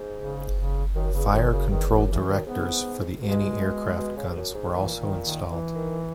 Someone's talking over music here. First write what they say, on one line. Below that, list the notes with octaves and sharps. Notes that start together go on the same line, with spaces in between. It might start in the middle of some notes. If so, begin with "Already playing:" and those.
Fire control directors for the anti-aircraft guns were also installed.
Already playing: G#2
C#3
C#3
F#2 D#3
E2 C#3
F#2 D#3
F#2 C#3
E2 D#3
E3
F#2
E2 E3
F#2
D#3
G#2 B3
B2 G#3
B2
C#3
E2
F#2
G#2
A#2 E3
D#3
A#2
D#3
E3
D#3